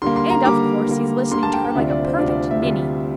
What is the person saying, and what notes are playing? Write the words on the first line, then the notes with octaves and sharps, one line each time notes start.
And of course he's listening to her like a perfect ninny.
D3 G3 A#3 C6
C6
A#5
D3 G3 A#3 D6
D3 G3 A#3
D3 G3 A#3 C6
A5
G5
G5
D2 C3 G3 D4 F4 E5
D5
C5
D2 C3 G3 D4 F4 D5
D5
E5
D2 C3 G3 D4 F4